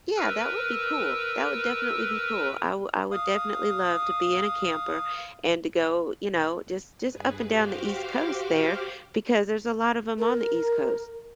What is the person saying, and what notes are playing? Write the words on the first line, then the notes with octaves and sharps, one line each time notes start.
Yeah, that would be cool. That would definitely be cool. I wou I would definitely love to be in a camper and to go, you know, just just up and down the East Coast, there, because there's a lot of 'em on the East Coast.
A#4 B4 E6
F5 D#6
G2 G#4 B4
F#4 G4 C5 F5 D6 F6
A#4